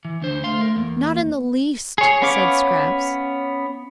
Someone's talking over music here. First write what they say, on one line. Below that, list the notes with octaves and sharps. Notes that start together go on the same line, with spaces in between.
"Not in the least," said Scraps.
E3
D2 D4 C5
A3 F5 C6
A#4
E2 A#3
G#4 C#5
B3 C#4 C#5 F5 D6